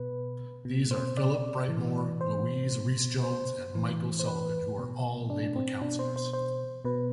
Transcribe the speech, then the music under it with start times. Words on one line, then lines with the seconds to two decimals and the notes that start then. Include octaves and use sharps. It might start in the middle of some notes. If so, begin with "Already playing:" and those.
These are Phillip Brightmore, Louise Reecejones and Michael Sullivan, who are all Labour councillors.
Already playing: B2 B4
0.65 B2
0.91 C5
1.17 D5
1.68 A2 E3
2.21 C5
2.72 B2
3.23 C5
3.75 A2 E3
4.19 C5
4.27 B4
4.79 B2
5.30 D4
5.56 C4
5.81 B2 D4
5.99 C5
6.16 C5
6.33 C5
6.85 B2 B4